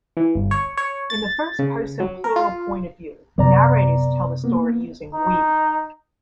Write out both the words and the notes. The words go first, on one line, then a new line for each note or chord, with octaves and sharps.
In the first-person-plural point of view, narrators tell the story using "we".
E3
G1
C#5
C#5
A6
C#3
F#3
A#4
F4
F#2 C3 F#3 B3 D5 A#5
A#3 B3
D#4